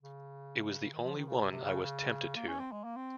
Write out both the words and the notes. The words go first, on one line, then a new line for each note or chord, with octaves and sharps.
It was the only one I was tempted to ...
C#3
D#3
F3
D#3
C#3
C3
C3
C#3
C#3
A#3
C#4
C4
G#3
A#3
C4